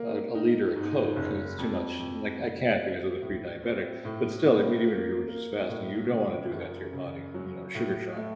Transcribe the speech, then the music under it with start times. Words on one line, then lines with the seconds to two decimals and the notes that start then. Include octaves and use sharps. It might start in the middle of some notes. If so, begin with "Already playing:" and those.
a a liter of Coke 'cause it's too much, and, like, I can't because of the pre-diabetic, but still, we do it we were just fasting. You don't wanna do that to your body, you know- sugar shock,
Already playing: A#3
0.35 D#4
0.76 G#2
1.16 F#1
1.58 F2
1.99 F2
2.40 F#1
2.82 C4
3.22 A2
3.63 C4
4.05 A2
4.46 A#3
4.88 A#3
5.28 A#3
5.69 A2
6.10 C#3
6.51 F#2
6.93 C#3
7.34 F#3
7.75 A2
8.16 A3